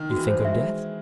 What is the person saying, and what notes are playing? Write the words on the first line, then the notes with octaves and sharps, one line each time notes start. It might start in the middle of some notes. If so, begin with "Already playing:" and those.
"You think of death?"
Already playing: D#3
F#4
E3
C5
G#3
E5